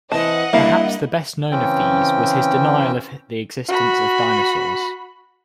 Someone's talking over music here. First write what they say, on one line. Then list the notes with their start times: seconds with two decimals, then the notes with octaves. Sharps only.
Perhaps the best-known of these was his denial of the existence of dinosaurs.
0.12 E3 C4 D#5 F#5 A5
0.53 G3 A#3 D4 E4 F5
1.51 C#3 E3 C4 C#4 G5
3.68 F#4 B5